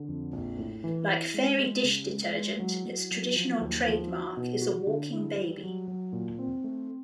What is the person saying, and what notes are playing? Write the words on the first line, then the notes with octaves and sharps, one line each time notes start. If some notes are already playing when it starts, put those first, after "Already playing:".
Like Fairy dish detergent, its traditional trademark is a walking baby.
Already playing: D3
F2
A#1
A2
E3
E4
G#3
G#3
C#3
G#3
G#3
F#3
F#3
F#3
F3
D#2
F3
F#4
B2
F#4
D3
E4
G3
F#3
F#3
A#2
C4
A3